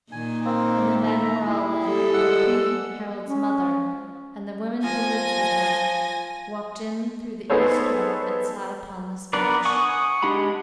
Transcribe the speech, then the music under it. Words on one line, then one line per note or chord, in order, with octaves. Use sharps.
When the men were all in, the queen, Harald's mother, and the women who lived with her, walked in through the east door and sat upon this bench.
A#2 D#3 G#5
A#3 C4
A3 E4 E5 A#5
E4 G#4
G3 A4
G#3 F#5 E6
C#4
F3 G#5 A#6
B3 D#4 G#4 A4 C5 C#5
B3 D4 A#4 B4 D5
F#5 G#5 C#6 D#6
G#3 D4 G4 F#5 B5